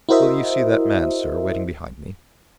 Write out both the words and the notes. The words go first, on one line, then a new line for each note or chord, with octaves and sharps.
"Will you see that man, sir, waiting behind me?"
E4 F#4 A#4 C5 D#5 E5